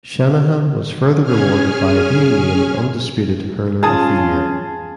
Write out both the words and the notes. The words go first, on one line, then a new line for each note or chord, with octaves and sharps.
Shanahan was further rewarded by being named undisputed Hurler of the Year.
C#4 G#4 G#5 F6
C#4 F4 G#4 A5 D#6